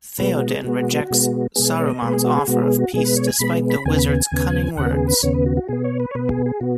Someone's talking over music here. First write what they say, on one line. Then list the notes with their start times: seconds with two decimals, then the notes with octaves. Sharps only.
Théoden rejects Saruman's offer of peace despite the wizard's cunning words.
0.18 B2 G#3 B3 B4
0.34 F#4
0.49 G#4
0.64 B2 G#3 B3 F#4
1.10 B2 G#3 B3
1.56 B2 G#3 B3 G#4
1.71 C#5
1.86 D#5
2.02 B2 G#3 B3 B4
2.14 G#4
2.25 F#4
2.36 G#4
2.47 B2 G#3 B3 F#4
2.59 B4
2.63 G#4
2.78 F#4
2.94 B2 G#3 B3 G#4
3.05 B4
3.16 C#5
3.27 G#5
3.39 B2 G#3 B3 B5
3.70 B5
3.85 D#2 C#3 B3 G#5
3.99 B5
4.12 G#5
4.32 D#2 C#3 B3
4.77 D#2 C#3 B3 F#5
4.93 G#4
5.08 B4
5.23 D#2 C#3 B3 C#5
5.34 B4
5.46 F#4
5.57 F#4
5.68 B2 B3 G#4
5.84 C#5
6.00 B4
6.11 C#5
6.15 B2 B3 B4
6.30 G#4
6.46 G#4
6.61 B2 B3 F#4